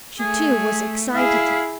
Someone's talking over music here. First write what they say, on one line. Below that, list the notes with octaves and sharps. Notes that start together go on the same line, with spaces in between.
She, too, was excited.
A3 G#4
E4 G#4 F5